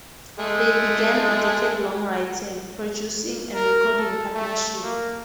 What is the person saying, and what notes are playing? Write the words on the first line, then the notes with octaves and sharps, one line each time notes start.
They began a decade-long writing, producing, and recording partnership.
G#3 A3
A#4
A4
A3
A#3